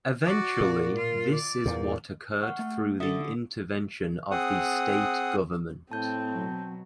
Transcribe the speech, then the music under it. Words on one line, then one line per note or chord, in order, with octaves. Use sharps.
Eventually this is what occurred through the intervention of the State Government.
F#4 D5
A#2
F4
D5
E2 A#2
F#5 C#6 F6
A3
D3 A4 E5 D#6
C4 G#4 F#5 D#6
A2 C4 A5 G6
B2 F#3